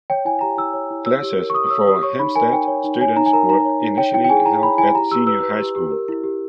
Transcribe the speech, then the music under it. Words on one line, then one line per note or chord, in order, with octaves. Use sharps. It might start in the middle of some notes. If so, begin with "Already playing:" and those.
Classes for Hempstead students were initially held at Senior High School.
C#5 G5
E4 G#5
G4 A#5
E4 E6
C#5
E4
C#5 E6
G4
A#4
C#6
G4 D#6
D#6
C#5 E6
G4 D#6
C#5 C#6
D#4 B5
A#4 G#5
D#4 G5
C#5
D#4
C#5 G#5
D#4 A#5
G#5
A#4 A#5
D#4 A#5
C#5
D#4
C#5 G5
E4 G5
G5
G#4 G#5
E4 A#5
C#5 B5
E4 G#5
G4 A#5
G4 E6
B4 E6
B4
G4
G4
A#4
E4
G4